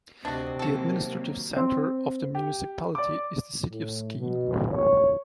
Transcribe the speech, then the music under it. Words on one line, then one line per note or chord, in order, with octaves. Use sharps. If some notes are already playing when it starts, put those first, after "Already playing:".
The administrative centre of the municipality is the city of Skien.
D2 C3 C4 D4 F#4 D#5
D#3 F#3 A#3 F#4 A4
C4
G4
D5 D6
A2
B2
C#5